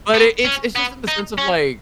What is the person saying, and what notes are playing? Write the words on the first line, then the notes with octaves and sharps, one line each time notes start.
But it it's it's just in the sense of, like,
B3
C#4
B3
D#4
C#4